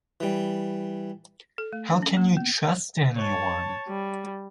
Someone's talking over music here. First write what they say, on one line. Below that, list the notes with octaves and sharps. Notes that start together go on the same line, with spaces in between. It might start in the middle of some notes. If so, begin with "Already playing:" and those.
How can you trust anyone?
E3 G3
A4
A3
D4
C#4
A#3
B3
C#5 A5
G3